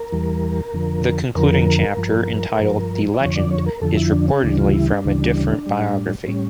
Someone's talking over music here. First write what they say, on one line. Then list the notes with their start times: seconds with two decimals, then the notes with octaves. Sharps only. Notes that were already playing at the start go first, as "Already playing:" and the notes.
The concluding chapter, entitled "The Legend", is reportedly from a different biography.
Already playing: A#4
0.12 E2 E3 G3
0.74 F2 D3 F3
1.35 F2 D3 F3 A#4
1.97 G2 F3
2.58 G2 F3
3.14 D5
3.20 F2 D3 F3 C#5
3.36 D5
3.51 C#5
3.66 A#4
3.81 F2 D3 F3 A4
3.97 E4
4.12 D4
4.28 C#4
4.43 D2 C#3 E3 G3 D4
4.59 F4
4.74 E4
4.89 D4
5.05 D2 C#3 E3 G3
5.66 A2 G3
6.27 A2 G3 C#4